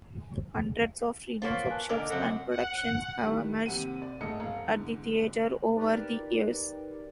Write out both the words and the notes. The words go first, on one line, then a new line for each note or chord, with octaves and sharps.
Hundreds of readings, workshops, and productions have emerged at the theater over the years.
A#3 B3 F4 C5 C#5 C#6
G#5 A5 F#6
A#2 D3 A#4 D#5 D6 E6
F#2 C#3 C4 F#5
F#5
A2 D#3 G3
D#2 C3 F#5 D#7
D5
E1 G#2 A3 D#5 C#7
E1 F5
E2 G#2 D3
D#4 G4 A#4 B4 D5